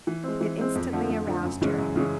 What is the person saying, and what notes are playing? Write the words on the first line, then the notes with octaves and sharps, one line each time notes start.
It instantly aroused her.
E3
G#3 C4
E3
G#3 C4
F2
D3 F3 A3
F2
D3 F3 A3
F#2
C#3 E3 G#3 C#4
F#2
C#3 E3 G#3 C#4